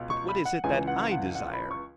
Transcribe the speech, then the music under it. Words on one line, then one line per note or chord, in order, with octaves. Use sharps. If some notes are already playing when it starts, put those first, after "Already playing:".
But what is it that I desire?
Already playing: C#2 B2
C#6
B5
F#5
C#2 C#3 E3 G#5
F#5
F#5
F#5
B5
C#6